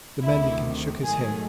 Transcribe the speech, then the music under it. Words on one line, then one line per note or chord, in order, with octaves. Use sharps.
The mendicant shook his head.
D2 C3 D#3 E4
G#2 D#3 F#3 A3 G#4